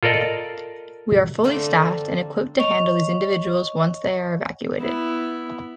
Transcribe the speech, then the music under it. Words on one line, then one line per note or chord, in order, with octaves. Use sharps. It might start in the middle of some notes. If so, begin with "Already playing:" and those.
We are fully staffed and equipped to handle these individuals once they are evacuated.
F4 A4 A#4 D5 D#5
D3 G3 A3 A#3 C4
C#5 D#5 C#6 F7
B3 E4